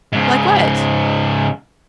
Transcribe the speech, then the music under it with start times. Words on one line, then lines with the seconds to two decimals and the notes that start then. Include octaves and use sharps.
"Like what?"
0.12 G#2 C#3